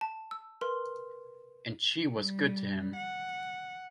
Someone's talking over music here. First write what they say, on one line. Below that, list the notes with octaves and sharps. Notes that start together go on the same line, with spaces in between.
And she was good to him.
A5
E6
A#4 B4 C6
G3
F#5